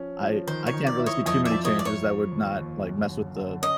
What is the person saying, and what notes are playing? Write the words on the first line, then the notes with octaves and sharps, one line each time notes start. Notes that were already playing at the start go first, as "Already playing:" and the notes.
I I can't really see too many changes that would not, like, mess with the
Already playing: F3 C#4
F3
D#3 C5
C#5
D#3
D5
E4
C#5 D#5
F2 C#5 D#5
D5 E5
F2
C#5 D#5
F2 D5
C#5
F3
D#2
D#2
F#2
D3
D3
C#4 D#5